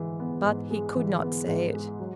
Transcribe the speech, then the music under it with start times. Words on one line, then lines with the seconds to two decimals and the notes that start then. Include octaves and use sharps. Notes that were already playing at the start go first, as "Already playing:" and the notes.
But he could not say it.
Already playing: G#2 E3 G#3
0.20 B3
0.45 G#2
0.71 G#3
0.96 E3
1.23 B3
1.47 G#2
1.74 G#3
1.99 F#3